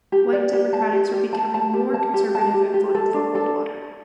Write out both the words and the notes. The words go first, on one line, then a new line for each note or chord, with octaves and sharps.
White Democratics were becoming more conservative and voted for Goldwater.
G4
D5
G4
A5
G4
G4
A5
A5
G4
A5
G4
A5
G4
G4
A4
D4
A4